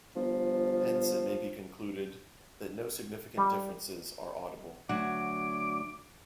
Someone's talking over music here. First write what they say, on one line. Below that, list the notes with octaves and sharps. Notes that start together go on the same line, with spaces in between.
Hence it may be concluded that no significant differences are audible.
G1 F3
G3
D2 F#3 F#5 D6